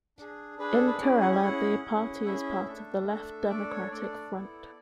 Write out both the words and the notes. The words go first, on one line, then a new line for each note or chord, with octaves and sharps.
In Kerala, the party is part of the Left Democratic Front.
D4 G#4
D4 G#4 B4
A4
B4
C#4 E4 G#4 D5
F#5
G#5
C#4 E4 G#4 F#5
C#4 E4 G#4
C#4 E4 G#4 E5
A3 D4 A4
A3 D4 A4
A3 D4 A4 D5
C#5
A3 D4 A4 D5
B3 E4 A4